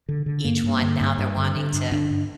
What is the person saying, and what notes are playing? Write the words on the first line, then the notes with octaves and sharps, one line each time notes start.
each one now they're wanting to
D3
D3
G2 A#3
G2
D3
G2
G2
D3
D3
G2
D3 D4
G2